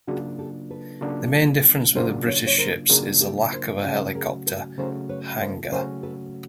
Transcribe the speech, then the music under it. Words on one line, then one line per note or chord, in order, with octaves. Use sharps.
The main difference with the British ships is the lack of a helicopter hangar.
C#3 F#3 A#3 D4 F4 F#4 G#4
G4 A4
A4 B4
C#3 F#3 A#3 D4 F4
C#3 F#3 A#3 D4 F4 A#4 C5
B4 C#5
C#5
A#4 C5
C#3 F#3 A#3 D4 F4 G#4 A#4
G4 A4
A#4 C5
C#3 F#3 A3 C#4 F#4 A4 B4
G#4 A#4
A4 B4
C#3 F#3 A3 C#4 F#4 A#4 C5
B4 C#5
A#4 C5
C#3 F#3 A3 C#4 F#4 A#4 C5
A4 B4